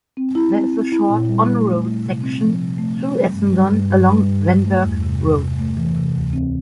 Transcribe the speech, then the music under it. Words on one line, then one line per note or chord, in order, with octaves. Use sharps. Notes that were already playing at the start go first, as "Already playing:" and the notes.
There is a short on road section through Essendon along Vanberg Road.
C4
E4
C4
C4
E4
A#2
G3
G3
A3
A3
C3
C4
F3
C3
A3
C4
G3
G2
G3
G2
G2
G3
G2
G2
A3
E2
C3
E2
C3
A3
E3
C3
D2
C4